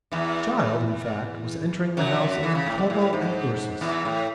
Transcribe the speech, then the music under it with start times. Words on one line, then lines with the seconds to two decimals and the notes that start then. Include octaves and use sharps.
The child, in fact, was entering the house of Homo and Ursus.
0.12 E2 E3
1.97 F#2 F#3
2.43 E2 E3
2.55 C#3
2.66 A2
2.78 B2
2.90 A2
3.13 G#2
3.81 E2 E3
4.05 A2